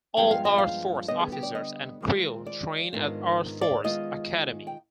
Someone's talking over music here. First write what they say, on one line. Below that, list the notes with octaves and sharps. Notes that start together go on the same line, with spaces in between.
All EarthForce officers and crew train at EarthForce Academy.
G2 F3 G#3 B3 G5
F5
D#5
F5
D3 G3 B3 D4 D#5
G#4
G4
D5
D#5
D#3 G#3 C4 F4
D5
G#2 D#3 B3 D4 F4
D5
D#3 G#3 B3 F4 D#5
G5